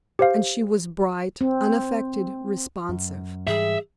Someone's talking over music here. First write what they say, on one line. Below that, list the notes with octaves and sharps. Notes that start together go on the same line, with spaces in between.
And she was bright, unaffected, responsive.
G4 C5 F5
C4
F#2
G#2 E3 G3 G#4 E5